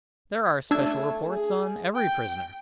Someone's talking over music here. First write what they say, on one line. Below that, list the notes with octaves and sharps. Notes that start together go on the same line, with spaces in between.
"There are special reports on every prisoner."
A3 D4 E6 G#6
G#4
G5